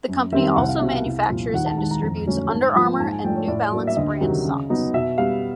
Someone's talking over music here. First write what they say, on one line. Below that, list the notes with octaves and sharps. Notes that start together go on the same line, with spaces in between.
The company also manufactures and distributes Under Armour and New Balance brand socks.
F#2
D#3 G3 C4 E5
C2 F#5
F5
B2 G3 B3 E5
F5
C2
A#2 F3
D#2 F#5
A5
D#3 G#3 A5
A#5
F2 A#5
D3 F#3 A3 C#4
G#2 A5
F3 A#3
G#2 A5
G#5
F3 A3 D4 G5
C#5
A2 D5
F#3 A#3 D4
E5
D2 D#5
C3 D#3 F#3
C#3
F#3 B3 D#4
B2 E5
G3 B3 F5